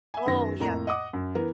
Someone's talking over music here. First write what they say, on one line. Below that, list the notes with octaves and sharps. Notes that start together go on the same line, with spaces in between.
Oh, yeah.
E5 G#5
F#2 D#3 B3 A#6
F2 A2 A#3 A#5
D#5 F#5 D6 D#6
F#2
E3 B3 A#4